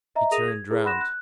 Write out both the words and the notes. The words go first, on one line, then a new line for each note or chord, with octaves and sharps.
He turned round.
D#5 E5 A#5
G#4 A#4 D#6 A#6 D#7 F7
G#6
E4 G#4 B4
F#5 B5 C6 F#6 A#6 E7
F#6